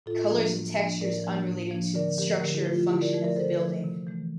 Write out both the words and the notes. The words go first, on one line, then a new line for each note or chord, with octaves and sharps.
Colors and textures unrelated to the structure of function of the building.
A2 F4 A4
F3 A#3 D4
A2
F3 A#3 D4
A2 A#4 D5
F3 A#3 D4
A2
F3 A#3 D4
D3 A#4 D5
F3 A3 G4 A#4
D3 G4 A#4
E4 G4
F3 A3 F4
F4
D3 E4 G4
A#4 D5
F3 A3
A#4 D5
D3 A4 C5
F3 A3
C3
E3 A3